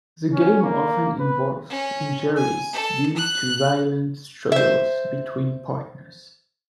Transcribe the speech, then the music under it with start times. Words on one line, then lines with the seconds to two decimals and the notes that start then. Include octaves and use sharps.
The game often involves injuries due to the violent struggles between partners.
0.33 C#4
0.62 A#3
1.19 B4
1.70 C#4
2.36 G#5
2.72 A4
3.16 F#6
4.52 C5 E5